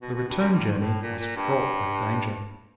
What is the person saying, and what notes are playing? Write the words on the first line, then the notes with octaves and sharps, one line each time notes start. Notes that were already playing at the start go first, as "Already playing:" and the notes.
The return journey was fraught with danger.
B2
B2
G2
F#2
G2
G#2
A2
A#2
A#2
G2